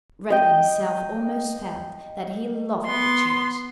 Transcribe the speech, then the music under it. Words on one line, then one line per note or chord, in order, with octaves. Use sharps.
Ratler himself almost felt that he loved the Church.
D#5 G5
B3 C6